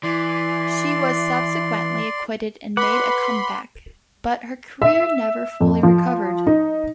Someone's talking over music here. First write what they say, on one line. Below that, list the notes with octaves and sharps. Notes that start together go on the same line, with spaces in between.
She was subsequently acquitted and made a comeback, but her career never fully recovered.
E3 D5 C6
B4 F#5 B5 C6 D6
E5
F2
F3
D#4